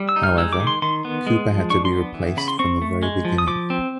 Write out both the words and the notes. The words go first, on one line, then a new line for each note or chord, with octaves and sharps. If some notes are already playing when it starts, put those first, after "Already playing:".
However, Cooper had to be replaced from the very beginning.
Already playing: G3
E6
D#4
F6
G#3 E6
D6
D#3
C6
D#3 C6
B3
G#3
F3
D4 C#6
C6
B3
E3
C#3 B5
C6
C4 C#6
A3
G#3
F3
D#6
F3 D6
C4